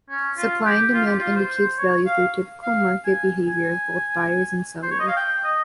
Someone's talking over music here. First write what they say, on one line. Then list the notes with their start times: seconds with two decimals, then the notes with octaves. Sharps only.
Supply and demand indicates value through typical market behavior of both buyers and sellers.
0.09 C#4
0.37 F4
0.66 G4
0.93 F4
1.06 G4
1.20 F4
1.36 C5
1.78 C#5
2.06 F5
2.63 F5
3.05 G#5
3.47 G#5
4.83 C5
4.91 C#5
4.99 D#5
5.08 F5
5.16 G5
5.44 D#5